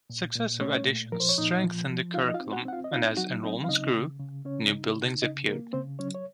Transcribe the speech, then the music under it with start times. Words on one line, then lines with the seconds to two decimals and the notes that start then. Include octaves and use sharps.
Successive additions strengthened the curriculum; and as enrollment grew, new buildings appeared.
0.10 A#2
0.35 A#2
0.60 A3 C#4 C#5
0.86 A#2
1.12 F3 A#4
1.20 C5
1.29 C#5
1.38 A#2 D#4 D#5
1.64 F3
1.89 F3
2.14 D#4 F4 F5
2.29 D#5
2.34 F4 F5
2.40 C4
2.53 F#4 F#5
2.65 C4 F#5
2.73 F4 F5
2.84 D#5
2.91 D#4 F4 F5
3.17 F#3 F#4 F#5
3.43 C4 D#4 D#5
3.64 F5
3.68 C#3 D#4 D#5
3.94 C#3
4.19 C#3
4.45 C#3 C#4 C#5
4.71 D#4
4.96 C#3
5.22 C#3 D#4 D#5
5.48 A#3 A#4
5.73 C#3 C4 C5
5.99 F#3 C#4 C#5
6.15 C#5